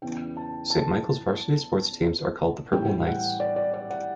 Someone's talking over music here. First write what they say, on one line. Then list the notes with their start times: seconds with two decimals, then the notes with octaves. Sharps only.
Saint Michael's varsity sports teams are called the Purple Knights.
0.02 E2 C#3 E3 G5
0.37 A5
0.70 A5
2.73 A2 E3 G3 G5
3.07 F#5
3.40 D5
3.56 D5
3.74 D5
3.90 F#5